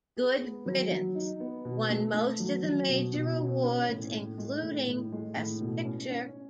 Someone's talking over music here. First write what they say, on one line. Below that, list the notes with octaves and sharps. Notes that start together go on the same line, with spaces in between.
"Good Riddance" won most of the major awards, including Best Picture.
G#4
B3
F#3
F#3
D#4
B3
B2
A3
A3
F#3
F#3
B2
B2
B2
C#4
A2
A2
G#3
A2
A2
G#3
A2
B2
C#4
C#4